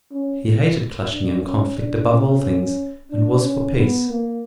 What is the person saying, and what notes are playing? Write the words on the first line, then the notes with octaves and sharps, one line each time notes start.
He hated clashing and conflict above all things, and was for peace.
C#4
D4
C#4
D4
C#4
D4
C#4
B3
A#3